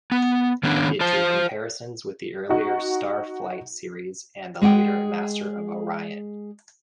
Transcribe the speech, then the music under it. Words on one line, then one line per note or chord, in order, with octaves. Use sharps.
It drew comparisons with the earlier "Starflight" series and the later "Master of Orion".
B3
D#3 B3 C#4 D4
F4 C5 A5
D#4 F#4
G#3 G#4 F#5 G5